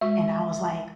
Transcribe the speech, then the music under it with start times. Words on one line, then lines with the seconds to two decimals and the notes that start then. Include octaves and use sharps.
And I was like,
0.01 G#3 F#4 E5 C#6